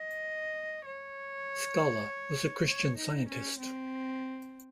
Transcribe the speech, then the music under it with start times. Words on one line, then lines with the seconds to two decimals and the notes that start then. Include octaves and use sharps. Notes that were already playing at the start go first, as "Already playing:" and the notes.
Skala was a Christian Scientist.
Already playing: D#5
0.85 C#5
2.68 C#5
2.97 D#4
3.29 C#4
3.59 C4